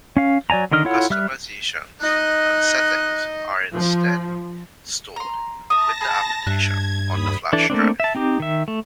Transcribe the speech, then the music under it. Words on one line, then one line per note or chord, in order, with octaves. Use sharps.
Customizations and settings are instead stored with the application on the flash drive.
C#4 F5
F#3 D5 G#5 A#5
D3 D#3 A#4 D#5 F6
E4 F4 A4 C#5 F#5
G3 E5 F6 F#6
D#4 D#5 F#6
F3
A#5 C6
E5 A5 A#5 D#6 A#6
G#4 B5
G2 E5 F#6 G#6
D#2 B5 D#6
E3 D4 E4 A4
A3 A#3 C4 D4
E5 A5
C4 D#4 G4
D#3 E5
A3